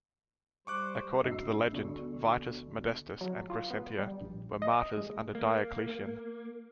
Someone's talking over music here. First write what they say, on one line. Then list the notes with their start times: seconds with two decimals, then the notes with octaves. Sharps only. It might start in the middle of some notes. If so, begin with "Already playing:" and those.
According to the legend, Vitus, Modestus and Crescentia were martyrs under Diocletian.
0.67 G3 C5 C#6 D6 F#6
1.22 C2 G2 F#4 D#5 E6 C7
1.72 D2 B2 D5 C#6
3.21 F#3
3.50 F4
3.71 B3
3.99 G3
4.21 A#1
4.62 D#5
4.97 G#3
5.35 A#3